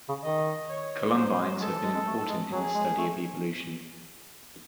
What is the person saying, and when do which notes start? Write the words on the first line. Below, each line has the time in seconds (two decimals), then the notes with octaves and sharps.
Columbines have been important in the study of evolution.
0.09 C#3
0.23 D#3 D#5
0.70 C#5
1.15 F#3 C5
1.38 G#3
1.50 F#3
1.60 G#3 A4
1.72 E3
1.84 G#3
1.94 G#3
2.07 A3
2.29 G#3
2.52 F#3 G#4
2.75 G#3
2.98 A3